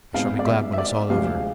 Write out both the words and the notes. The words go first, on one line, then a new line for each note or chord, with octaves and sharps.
I shall be glad when it's all over.
G#1 G#2 G#3 B3 F5
D5
E5
E5
D5
D2 C3 F3 G#3 F5